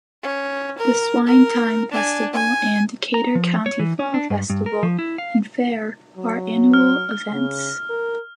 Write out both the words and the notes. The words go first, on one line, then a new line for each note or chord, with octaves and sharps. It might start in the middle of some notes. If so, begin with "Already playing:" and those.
The Swine Time Festival and Decatur County Fall Festival and Fair are annual events.
C#4
A#4
A#4
D4 G#5
G#5
A#5
F3
C#5
E3
C#4
D4
G2
G2
A#4
F3
E4
F5
F#3
F6
C#3
A#4